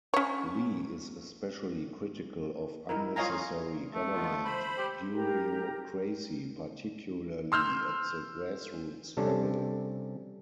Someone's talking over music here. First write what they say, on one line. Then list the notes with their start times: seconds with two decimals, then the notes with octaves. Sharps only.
Li is especially critical of unnecessary government bureaucracy, particularly at the grassroots level.
0.14 C#4 C#5
2.89 D#4 E4 A#4
3.16 F4 C#5 D#5 F5 G#5 A#5
3.95 A3
4.13 G#3 B3 F4
4.45 C5 B5
4.78 G4
5.13 G4 A#4 A#5
7.52 C6 E6 F6 G6
9.17 C3 G3 C#4 D4 A4